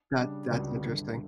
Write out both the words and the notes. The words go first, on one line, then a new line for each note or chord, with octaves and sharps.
That that's interesting.
C#3 G3 D4
C#2 C#3 G3 D4 F#4
G1 G2 D3